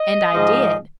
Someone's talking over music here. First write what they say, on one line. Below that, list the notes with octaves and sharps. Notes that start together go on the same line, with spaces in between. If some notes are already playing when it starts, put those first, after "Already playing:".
And I did.
Already playing: D#5
G#2 F3 G#3